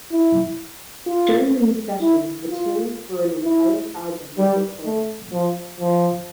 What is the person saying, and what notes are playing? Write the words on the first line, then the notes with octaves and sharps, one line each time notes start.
During these sessions, material for an entire album was recorded.
E4
F4
E4
F4
E4
G3
A3
F3
F3